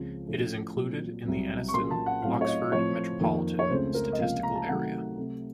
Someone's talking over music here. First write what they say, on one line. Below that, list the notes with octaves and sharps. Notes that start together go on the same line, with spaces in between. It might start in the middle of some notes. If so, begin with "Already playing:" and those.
It is included in the Anniston-Oxford Metropolitan Statistical Area.
Already playing: C#2 C#3 F3 C4
A2 F3 A3 C#4
A#2 F#3 C4
C2 C3 F#3 C4
C#6
A#2 F#3 A#3 C#4 C6
A5
F#5
A2 F#3 C4 F5
C#5
D#5
A2 F3 C4 C#5
F2 D#3 A#3
C#5
C#2 C#3 A3 C4 C5
A#4
D#5
C#2 C3 F3 A#3 F5
A#5
A5
C3 D#3 F#3 A3 F#5
C3 F#3 A3